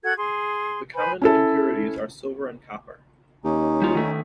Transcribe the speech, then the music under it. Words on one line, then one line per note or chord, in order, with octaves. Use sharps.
The common impurities are silver and copper.
F#4 A4 F#5 G#6
G#4 C6
B4 C5 G#5 B5
C#4 E4 A4
D#2 C#4 D#4
G3 F4 F#4
D#3 A3